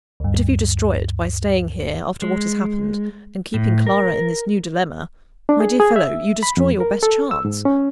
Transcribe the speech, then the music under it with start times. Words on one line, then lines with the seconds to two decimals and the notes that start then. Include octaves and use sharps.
But if you destroy it by staying here, after what has happened, and keeping Clara in this new dilemma--my dear fellow, you destroy your best chance!
0.20 D2 G2
2.22 G#3
3.54 A2
3.87 A#4
5.49 D4
5.60 G#4
5.80 G#4
5.96 E5
6.43 B5
6.57 F2
6.80 A#4
7.03 A4
7.31 E6
7.45 G#2
7.65 C#4